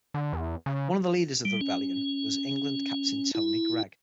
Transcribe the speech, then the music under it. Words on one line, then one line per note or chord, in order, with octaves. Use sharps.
One of the leaders of the "rebellion" was England captain Tony Greig.
D3
E2
C#3
G3
C#4
E4